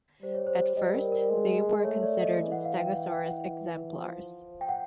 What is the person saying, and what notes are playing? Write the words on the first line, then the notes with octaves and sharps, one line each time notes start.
At first they were considered "Stegosaurus" exemplars.
G3 C5
C#5
C5
G3 D#5
A#4
A#4
G#3
A3 C#5
D5
D#5
E3 D#5
F#5
F5
G5
F#5
G5
F#5
F3
G5
F#5